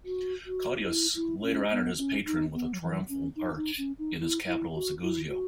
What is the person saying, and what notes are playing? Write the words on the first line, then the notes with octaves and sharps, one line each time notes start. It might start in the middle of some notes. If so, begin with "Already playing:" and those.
Cottius later honored his patron with a triumphal arch in his capital of Segusio.
F#4
F#4
E4
E4
C#4
B3
C#4
D#4
B3
F#3
E3
C#4
D#4
D#4
C#4
D#4
E4
E4
F#4
E4
F#4